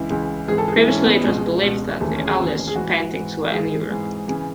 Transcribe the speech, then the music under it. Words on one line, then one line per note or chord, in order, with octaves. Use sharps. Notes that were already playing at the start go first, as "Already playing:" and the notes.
Previously it was believed that the earliest paintings were in Europe.
Already playing: C#2 C#3 E3 E4
C#2 C#3 E3
G#2 E3 G#4
A4
G#4
E4
G#2 E3 C#4
B3
C#2 B2 G#3
C#2 B2
D#2 C#3 E3 A3
C#4
G#4
D#2 C#3 E3
G#4
G#2 E3 F#4
G#2 E3
G#2 E3 G#4
G#2 E3
C#3 E3